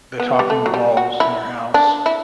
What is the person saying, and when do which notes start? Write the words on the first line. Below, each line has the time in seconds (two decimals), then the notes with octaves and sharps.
the talking walls in your house,
0.20 B3
0.39 G3
0.50 A3
0.66 F#3
0.74 G3
0.97 F#4
1.20 E4
1.74 D4
2.06 E4